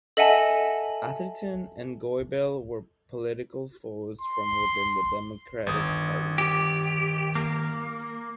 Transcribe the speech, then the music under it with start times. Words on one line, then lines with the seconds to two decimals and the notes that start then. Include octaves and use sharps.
Atherton and Goebel were political foes from within the democratic party.
0.17 A4 D#5 E5 F#5 G#5 A5
4.21 C6
5.67 G1 D#3 D#6
6.38 G4
7.35 A#3